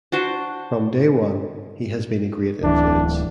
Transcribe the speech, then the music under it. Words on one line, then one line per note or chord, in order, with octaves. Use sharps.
From day one he has been a great influence.
D4 F#4 C5 D6
D1 E3 D4